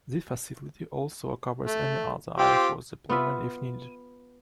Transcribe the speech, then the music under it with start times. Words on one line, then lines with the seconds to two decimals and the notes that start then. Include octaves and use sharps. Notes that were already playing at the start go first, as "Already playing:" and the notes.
This facility also covers any other Air Force deployment if needed.
1.66 A3
2.38 C4 F4 G4
3.09 B3 F4 B4 E5